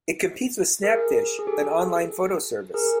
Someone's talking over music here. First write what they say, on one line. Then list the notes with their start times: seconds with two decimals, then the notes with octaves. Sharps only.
It competes with Snapfish, an online photo service.
0.83 G#4 A#4
1.39 G#4
1.47 G4 A4
2.74 G#4 A#4